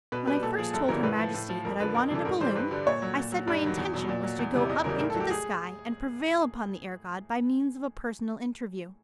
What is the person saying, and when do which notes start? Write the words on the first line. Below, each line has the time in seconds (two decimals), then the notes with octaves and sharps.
When I first told her Majesty that I wanted a balloon, I said my intention was to go up into the sky and prevail upon the air god by means of a personal interview.
0.12 B2 B4
0.28 G3 B4
0.43 A#2 A4
0.58 F3 G#4
0.74 F#2 A4
0.88 C#3 E3 G3 A#4
1.03 A2 B4
1.19 F3
1.35 A2
1.49 F3
1.65 F2 A#4
1.80 D3 B4
1.83 F3
1.95 F2 A#4
2.10 C3 E3 G3 A4
2.25 G#2 A#4
2.41 E3 G3 C5
2.55 G2 B4
2.71 D3 G3
2.86 A#2 C#5
3.02 F#3
3.17 A#2
3.32 F#3
3.47 G2 D5
3.63 D#3 F#3
3.77 E2
3.94 B2 F#3
4.08 A#2 D5
4.23 F#3
4.39 E2
4.54 C3 E3 G3
4.69 E2 D#5
4.84 C#3 E3 G3 A#4
5.00 A2 A#4
5.10 A4
5.15 F#3
5.20 G4
5.30 G#4